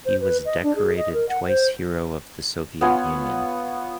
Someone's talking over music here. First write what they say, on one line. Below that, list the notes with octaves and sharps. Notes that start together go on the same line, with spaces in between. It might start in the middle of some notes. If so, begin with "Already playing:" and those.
He was decorated twice Hero of the Soviet Union.
C5
B4
D#5
D4
G#4
D#5
A#4
F#5
C5
B3 F4 C#5 G#5